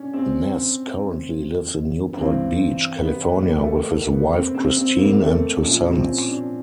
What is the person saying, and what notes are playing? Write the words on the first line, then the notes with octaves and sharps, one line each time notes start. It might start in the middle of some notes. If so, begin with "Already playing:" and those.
Ness currently lives in Newport Beach, California with his wife Christine and two sons.
Already playing: C#4 D4
C4
G2 E3 C4
B3
A#3
A3
A#3
B3
C4
C4
C4
A#3
A3
A#2 F3 C#4
C4
C#4
D4